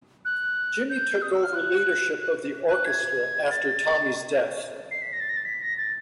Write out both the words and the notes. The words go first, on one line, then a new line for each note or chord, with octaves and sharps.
Jimmy took over leadership of the orchestra after Tommy's death.
F#6
G6
D#6
E6
F6
F#6
F#6
F#6
G#6
A6
C7
B6
A#6
A6
A#6
A6
B6
A#6
A6